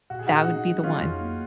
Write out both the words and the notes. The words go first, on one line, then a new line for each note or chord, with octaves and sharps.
that would be the one.
A#2 F#4
G#4
A#2 D#4 F#4
C#4
F#3
C#4 D#4 F4
F2
A#3